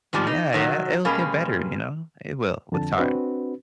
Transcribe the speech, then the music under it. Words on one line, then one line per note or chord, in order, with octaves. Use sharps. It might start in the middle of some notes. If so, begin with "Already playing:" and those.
Yeah, yeah, it'll get better, you know? It will with time.
G#2 D#3 F3 G3
D#4
C3 D#3 F#3
B2 G3 G#3 A#3 C#4
F2 D3 A5
C4 D4 F#4 B4